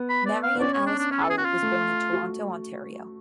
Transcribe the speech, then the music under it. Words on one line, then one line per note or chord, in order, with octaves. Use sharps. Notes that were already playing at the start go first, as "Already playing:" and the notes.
Marion Alice Powell was born in Toronto, Ontario.
Already playing: B3
B5
D5
F5
B3
C#4 D5
C#5
D4
D4
C#4
A4
G#4
F#4
F4
A3
F#4